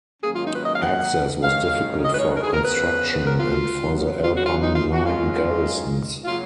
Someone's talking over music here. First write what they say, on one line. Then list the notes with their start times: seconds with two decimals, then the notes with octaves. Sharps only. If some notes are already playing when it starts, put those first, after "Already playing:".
Access was difficult for construction and for the Alpine Line garrisons.
0.22 G#2 D#3 F#3 A#3 C#4 G#4
0.33 F4
0.42 D#4
0.52 B4
0.63 D#5
0.73 F5
0.82 F#5
1.43 F#2 D#3 G#3 C#4 F5
2.03 D#5
2.12 B4
2.18 C#5
2.34 A#4
2.43 G#4
2.53 A#4
2.63 C#3 F3 B3 B4
3.12 B4
3.23 A#4
3.38 F4
3.83 F#2 C#3 F#3 B3
4.23 F4
4.33 F#4
4.43 F4
4.59 D#4
4.74 F4
4.93 F#4
5.03 F#2 D#3 G#3 C#4 F4
6.23 C#3 F#3 A#3 C#4 F4